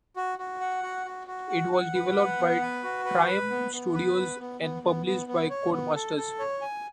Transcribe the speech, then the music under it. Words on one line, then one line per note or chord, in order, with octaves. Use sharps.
It was developed by Triumph Studios and published by Codemasters.
F#4
F#4
F#5
F#4
F#4
F#4
F#5
F#5
B4
F#5
B3
B4
F#4
B4
B4
B3
B3
B4
B3
B3
B3
B3
B3
B3
C#5
B3
A4
A4
C#5
G#5